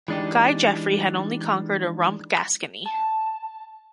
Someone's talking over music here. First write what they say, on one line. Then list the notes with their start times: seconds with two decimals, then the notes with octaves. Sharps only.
Guy Geoffrey had only conquered a rump Gascony.
0.08 E3 G#3 D4 D#4 G4
2.86 A5